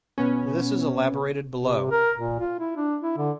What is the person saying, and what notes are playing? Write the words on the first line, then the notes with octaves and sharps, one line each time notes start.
This is elaborated below.
B2 B3 C#4
C3
A#4
A#2
F4
E4
D4
E4
D3